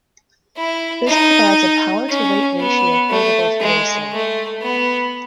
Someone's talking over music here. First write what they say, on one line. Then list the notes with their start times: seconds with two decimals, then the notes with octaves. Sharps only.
This provides a power-to-weight ratio favorable to racing.
0.57 E4
1.07 D#4
2.08 C#4
2.60 B3
3.10 A3
3.60 G#3
4.12 A3
4.62 B3